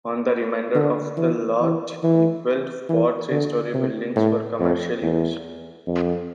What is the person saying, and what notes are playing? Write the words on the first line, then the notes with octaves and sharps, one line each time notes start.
On the remainder of the lot he built four three-story buildings for commercial use.
D3
E3
E3
E3
E3
D3
C3
A2
F2
E2
F2